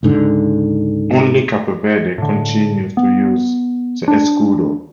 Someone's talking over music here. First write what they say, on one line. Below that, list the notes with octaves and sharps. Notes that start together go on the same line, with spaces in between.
Only Cape Verde continues to use the escudo.
C#2 G#2 D3
A2 D3
B3
D4